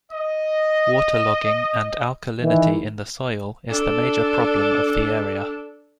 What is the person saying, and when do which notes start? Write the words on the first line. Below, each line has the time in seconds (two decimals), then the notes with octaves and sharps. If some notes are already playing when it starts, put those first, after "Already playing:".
Water logging and alkalinity in the soil is the major problem of the area.
0.12 D#5
2.42 D#3 E3
3.70 D4 A4